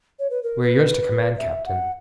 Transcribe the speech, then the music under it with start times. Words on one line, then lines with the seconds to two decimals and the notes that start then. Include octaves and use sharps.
"We're yours to command, captain."
0.19 C#5
0.30 B4
0.43 A#4
0.62 B4
1.38 E5
1.66 F#5